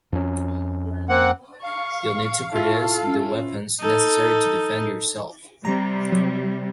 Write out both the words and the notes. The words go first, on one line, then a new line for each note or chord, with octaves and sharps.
You'll need to produce the weapons necessary to defend yourself.
F2 C#4
A#3 C4 F#5
F5 C#6
E4 F4 A4 C#6
C#4
D#4 A4
C3 G3 A#5
F#3